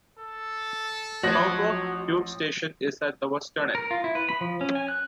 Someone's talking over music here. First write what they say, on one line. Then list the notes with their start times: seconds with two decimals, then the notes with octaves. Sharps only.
Southwark tube station is at the western end.
0.19 A4
1.23 A1 F3 F#4 C#5 A#6
3.75 A#4
3.91 F4
4.04 E4
4.15 B4
4.29 B5
4.41 F3
4.61 C#4
4.75 G#5
4.88 F#6